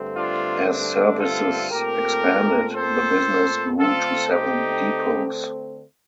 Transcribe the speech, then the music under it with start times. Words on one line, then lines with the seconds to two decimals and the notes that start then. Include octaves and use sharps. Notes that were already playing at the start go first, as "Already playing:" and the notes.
As services expanded the business grew to seven depots.
Already playing: G2 D3 A3 C4
0.15 D4 F4
0.68 D4
1.19 F4 A4
1.71 A#2 A3 C4 G4 A#4
2.74 A4 C5
3.79 D3 A3 C4 F4 A4
4.30 D#4 G4